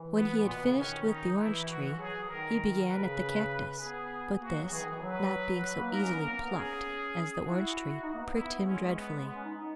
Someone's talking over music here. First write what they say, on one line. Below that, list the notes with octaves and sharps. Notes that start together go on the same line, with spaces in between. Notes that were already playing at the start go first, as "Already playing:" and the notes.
When he had finished with the orange-tree, he began at the cactus; but this, not being so easily plucked as the orange-tree, pricked him dreadfully.
Already playing: E3
B3
A#2 B3
B2
C#3
D#3 C#4
D#4
E3 E4
F#4
F#3 G#4
D#3 A#4
C#3 B4
B3 G#4
A#3 F#4
F#3
E3 G#4
D#3
E3
F#3 B4
F#3
A#3
D#4 A#4
C#4
B3
A#3
A#3
B3
C#4 G#4
E4 F#4
D#4
A#3
B3
E4
G#3 C#4
B3
G#3 B3
C#4
D#4
D#4